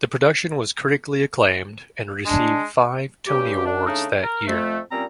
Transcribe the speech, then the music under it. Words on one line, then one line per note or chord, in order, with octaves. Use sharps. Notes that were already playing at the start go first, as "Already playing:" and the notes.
The production was critically acclaimed and received five Tony Awards that year.
G#3 D4
G2 C#3 G4
D4
C#3 A3 D4 D#4
A#4
F2 A3
A#2 G3 C4 C#4 A#5